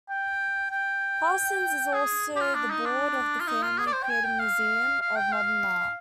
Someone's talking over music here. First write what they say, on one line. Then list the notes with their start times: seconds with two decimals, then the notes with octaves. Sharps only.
Parsons is also on the board of the family created Museum of Modern Art.
0.09 G5
0.71 G5
1.94 G#4
2.36 G4
2.40 F4
2.55 D4
2.71 D#4
2.85 D4
3.41 F4
3.47 D#4
3.62 F4
3.78 G#4
3.86 D5
3.93 C5
4.03 G5
4.09 G#5
4.24 G5
4.39 F5
5.02 F5
5.16 G5
5.32 F5